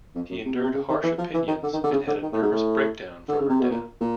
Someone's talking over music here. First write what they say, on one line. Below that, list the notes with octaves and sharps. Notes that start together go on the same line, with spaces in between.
He endured harsh opinions and had a nervous breakdown from her death.
F2
F#2
C3
B2
C3
C#3
D#3
E3
F3
E3
D#3
D3
D#3
D3
C#3
D3
D#3
A2
G#2
A2
D3
C#3
C3
B2
A#2
A#2